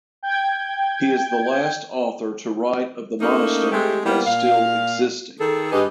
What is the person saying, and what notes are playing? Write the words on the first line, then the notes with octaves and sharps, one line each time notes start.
He is the last author to write of the monastery as still existing.
G5 G6 G#6
A3 A#3 C#4 D#4
G#3 A3 C4 G4
G3 A#3 B3 E4 G4
A#2 F5
D#3 G#4 A4
G2 D#4 G4 G#4 B4